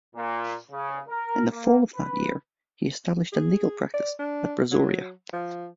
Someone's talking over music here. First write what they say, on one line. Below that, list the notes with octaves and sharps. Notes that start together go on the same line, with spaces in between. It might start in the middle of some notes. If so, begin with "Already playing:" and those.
In the fall of that year, he established a legal practice at Brazoria.
A#2
C#3
A#4
A#3
B4
G#4
D5
D4
F#3
F3